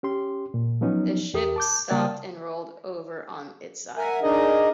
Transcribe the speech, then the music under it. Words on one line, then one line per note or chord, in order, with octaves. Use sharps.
The ship stopped and rolled over on its side.
C#4 G4 C6
A#2
F3 F#3 B3 C#4 D#4
E2 G4 A#4 D#6
A5 D6 G6
C#3 G3 A#3 D5 G5 A6
A#4 E5 F#5 G#5
D4 D#4 G#4 A#4 D#5